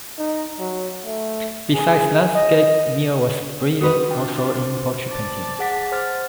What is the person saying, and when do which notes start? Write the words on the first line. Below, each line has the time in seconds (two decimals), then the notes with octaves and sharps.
Besides landscapes Mio was brilliant also in portrait painting.
0.18 D#4
0.59 F#3
1.05 A3
1.73 G#4
2.35 D#5
3.81 C4 F#4 B4 D#6
4.11 D4 F4 G5
4.55 C5
5.09 D5 A5
5.59 G#4 F#5 B6
5.92 C5 F6 A6